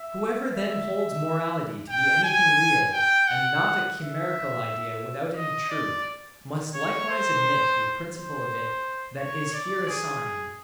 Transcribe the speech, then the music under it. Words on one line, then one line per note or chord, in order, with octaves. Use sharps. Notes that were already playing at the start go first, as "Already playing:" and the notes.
Whoever then holds morality to be anything real, and not a chimerical idea without any truth, must likewise admit the principle of it that is here assigned.
Already playing: E5
E5
G5
G#5
G5
F#5
E5
D#5
D5
C#5
C5
C5
C#5
D5
G#4